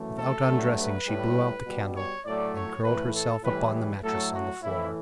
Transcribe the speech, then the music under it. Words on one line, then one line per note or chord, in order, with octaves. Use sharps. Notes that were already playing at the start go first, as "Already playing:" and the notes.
Without undressing she blew out the candle and curled herself upon the mattress on the floor.
Already playing: F#2 E3 A3
A4
G2 F#3 A3
B4
A2 G3
B2 G3
C#5
A2 F#3 A3 D5
C#5
A2 E3 A3 B4
A4
A2 E3 G3 B4
B4
A2 F#3 A3 A4
F#4
A2 E3 A3 E4